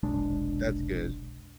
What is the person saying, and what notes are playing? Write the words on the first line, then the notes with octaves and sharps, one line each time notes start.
That's good.
F1 B1 G#3 D4